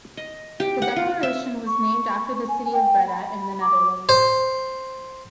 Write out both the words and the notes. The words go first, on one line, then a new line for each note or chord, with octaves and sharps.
The declaration was named after the city of Breda in the Netherlands.
D#5
G4
F#5
F4
E5
C#6
G#5
G5
B5
D6
C5